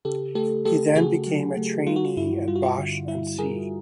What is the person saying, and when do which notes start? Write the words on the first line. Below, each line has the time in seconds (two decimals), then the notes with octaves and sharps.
He then became a trainee at Bache and C.
0.05 C#3 G4 A4
0.35 A3 G4 A4
0.65 A3 G4 A4
0.95 C#3 F#4 G#4
1.26 F#3
1.57 A3
1.87 G3 F4
1.96 F#4
2.05 F4
2.17 G2 E4
2.47 G3 F4
2.55 F#4
2.63 F4
2.78 D3
3.08 G3 E4
3.38 G3 G#4 A#4